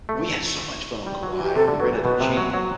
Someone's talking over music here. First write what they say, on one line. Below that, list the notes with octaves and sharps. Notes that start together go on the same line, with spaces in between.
we had so much fun on Kauai. We rented a jeep,
A3
G3
F#3
F#4
E3 G4
C3 A4
D3
F#3 B4
E3
B2 B4
C3
F#3
F#3